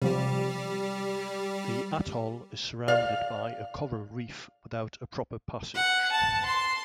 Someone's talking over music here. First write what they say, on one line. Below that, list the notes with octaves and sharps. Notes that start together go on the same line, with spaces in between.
The atoll is surrounded by a coral reef without a proper passage.
C3 F3 G3 G4
D5 F5
F#5
A5
C6